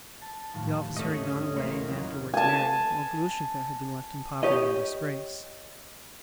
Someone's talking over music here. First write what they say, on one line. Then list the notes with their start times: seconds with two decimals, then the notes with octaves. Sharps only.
The officer had gone away and afterwards married, while Grushenka had been left in poverty and disgrace.
0.21 A5
0.53 D#2 A2 F3
0.97 G#2 A3 C#4 D#5
1.57 E2 A3 A#3 C6 D#6
1.87 C#2 F#2 F#3
2.34 G#5 A5
4.43 G4 C#5 D#5